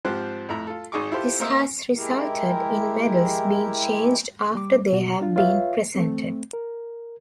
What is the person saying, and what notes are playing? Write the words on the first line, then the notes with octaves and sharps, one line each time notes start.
This has resulted in medals being changed after they have been presented.
G#2 F3 C4 G4 C5 F#6
F2 A2 E4 A#5 B5
F4 A4
G#1 D#4 G#4 D#5 C#6 D6
E4 F4 G4 A4 C5
A#3 C4 A#4 C5 D#5 E5
G#3 E4 G4 A#4
G3 D6
B2 F#4
D4 F4
F4 B4 C#5 E5 F5
A3 C4
A#4